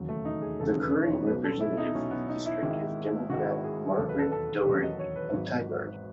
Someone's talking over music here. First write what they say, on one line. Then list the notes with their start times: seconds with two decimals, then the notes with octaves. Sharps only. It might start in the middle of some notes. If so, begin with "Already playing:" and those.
The current representative for the district is Democrat Margaret Doherty of Tigard.
Already playing: E1 D#2 C#3 F#3
0.09 A3
0.25 D#4
0.42 G#4
0.60 E1 D#2 C#3 F#3 A4
0.81 B4
1.04 C#5
1.26 B1 B2 F#3 B4
1.44 A4
1.61 E4
1.77 D#4
1.94 B1 B2 F#3 C#4
2.11 B3
2.28 D#4
2.46 E4
2.63 G#1 G#2 D#3 G#3
3.30 G#1 G#2 D#3 G#3 F#4
3.40 E4
3.51 F#4
3.64 G#4
3.97 E1 D#2 D#3 F#3 A4
4.09 B4
4.19 A4
4.32 A4
4.65 E1 D#2 D#3 F#3 B4
4.83 D#5
4.99 C#5
5.16 B4
5.33 G#1 G#2 F#3